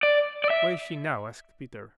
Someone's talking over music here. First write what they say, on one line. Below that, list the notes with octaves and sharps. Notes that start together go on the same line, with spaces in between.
"Where is she now?" asked Peter.
D5
D5
E5